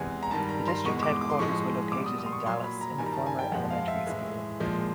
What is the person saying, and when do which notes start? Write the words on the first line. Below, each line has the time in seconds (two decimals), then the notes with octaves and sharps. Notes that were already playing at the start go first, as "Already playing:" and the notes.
The district headquarters were located in Dallas, in a former elementary school.
Already playing: E2 C3 E3 G#3 G#5
0.23 A#5
0.31 G2 D#3 G3 A5
0.49 A#5
0.68 C6
0.84 E2 B2 G#3 C#6
1.03 D6
1.21 D6
1.30 C6
1.39 A2 F3 G#3 C#6
1.92 B2 D6
1.97 G3
2.06 D#6
2.18 D#6
2.26 C6
2.32 C#6
2.45 A#2 F#3 C6
2.64 B5
2.81 A#5
2.98 G2 D#3 G3 G#5
3.06 A#5
3.13 A5
3.26 G#5
3.39 G5
3.52 F2 C3 F3 G#3 F#5
3.70 F5
3.88 E5
4.07 A2 E3 G#3
4.60 A#2 F3 G#3